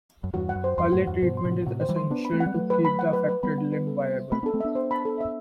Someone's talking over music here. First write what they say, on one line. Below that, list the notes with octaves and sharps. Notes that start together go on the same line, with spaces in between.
Early treatment is essential to keep the affected limb viable.
F#2
E2 G2 F#4
F#5
F#2
C5
E2 G2 C6
F#2 A2 F#4
E2 G2 F#5
G2 B2 C5
C6
A2 C3
F#4
B2
A2 C3 F#5
C5
E3 G3
C6
B3 D4 B4
B5
A3 C4
F#5
G3
F#3 A3 B4
B4
B5
F#5
B4
B4
G3 B3 B5
F#5
B4
A4
E5
C5
A3 C4 B5
B3 D4 A4
A3 C4
B3 D4 E5
C5
B5
A4
E5